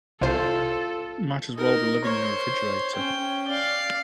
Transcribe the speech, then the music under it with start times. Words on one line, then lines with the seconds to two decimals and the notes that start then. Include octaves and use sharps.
Might as well be living in a refrigerator.
0.21 C2 F4 A4 C5
1.56 D#4 A#4
2.05 C5 C#5
2.95 C#4 G5
3.48 D5 F5